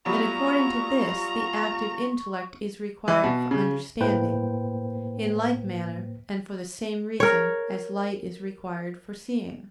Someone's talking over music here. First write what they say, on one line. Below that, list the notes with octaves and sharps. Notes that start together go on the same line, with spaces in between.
And according to this the active intellect is required for understanding, in like manner and for the same reason as light is required for seeing.
F#3 G3 B3 F4 A#5 C#6
E3
B2
C#3
A2 A#3 B4 C5 G5
A#4 C#5